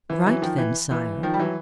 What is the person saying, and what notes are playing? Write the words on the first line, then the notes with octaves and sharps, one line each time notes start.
"Write, then, sire."
E3
E3 F#3
D#3 F3
E3
E3
D#3 F3
G3
E3 F#3